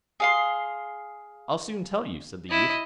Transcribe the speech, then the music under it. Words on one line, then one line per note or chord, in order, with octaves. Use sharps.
I'll soon tell you', said the youth.
G#4 F5 C6
E4 D#5